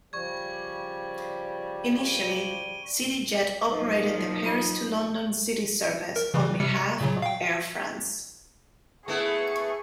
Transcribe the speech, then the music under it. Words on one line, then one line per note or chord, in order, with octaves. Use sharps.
Initially, CityJet operated the Paris to London City service on behalf of Air France.
C#3 F3 G3 D5 C#6 G#6
D7 D#7 G7
F3 F#3 A#3 D#4 A#4 B4 D#5
F4 F5
A#4
C#3 E3
C3 G3 C#7
A#2 C#3 F#3
F5 G5
A3 B3 E4 G#4 C#6